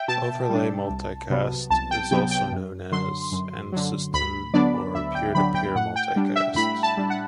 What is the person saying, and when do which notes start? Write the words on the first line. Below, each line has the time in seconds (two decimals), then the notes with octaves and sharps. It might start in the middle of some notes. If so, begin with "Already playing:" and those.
"Overlay multicast" is also known as "End System" or "Peer-to-Peer Multicast".
Already playing: E5 G5
0.08 B2 A5
0.49 G3 D4
0.90 C2
1.30 C3 F#3 B3
1.70 C2 A5
1.91 G5
2.11 C3 F#3 B3 G5
2.31 G5
2.52 F#2
2.92 D3 F#3 C6
3.32 F#2
3.72 D3 F#3
4.13 D2 B5
4.54 D3 F#3 B3 D4 D5
4.95 D2 E5
5.15 G5
5.35 D3 F#3 B3 D4 B5
5.55 G5
5.75 A2 F#5
5.96 G5
6.16 G3 D4
6.36 E5
6.56 A2 B5
6.83 A5
6.97 G3 D4
7.10 F#5